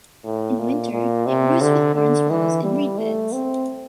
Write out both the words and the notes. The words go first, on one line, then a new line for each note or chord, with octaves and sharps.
In winter, it roosts with barn swallows in reedbeds.
A2
A#2
A#2
C3
D3
D3
E3
G3
A3
C4